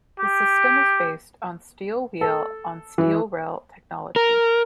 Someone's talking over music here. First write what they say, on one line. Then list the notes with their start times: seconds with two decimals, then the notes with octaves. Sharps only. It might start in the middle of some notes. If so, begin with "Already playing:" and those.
The system is based on steel wheel on steel rail technology.
0.20 G4
2.21 A4
2.98 E3
4.16 A#4